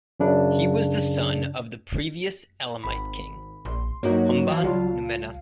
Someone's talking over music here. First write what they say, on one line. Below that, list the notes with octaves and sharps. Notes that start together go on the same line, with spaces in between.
He was the son of the previous Elamite king, Humban-Numena.
F#2 C#3 D4
G#1 B5
A#1 C6
G2 F#3 A#3 D#4 F#4 G4 C#5
E3 F5 A5
C#2 G3 F4